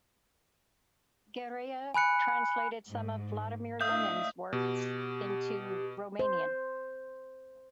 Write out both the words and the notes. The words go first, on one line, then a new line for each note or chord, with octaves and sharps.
Gherea translated some of Vladimir Lenin's works into Romanian.
G#5 B5 F#6 C#7
G#2
A3 D4 E4 E5 F5 D#6 G6
B2 G4
C5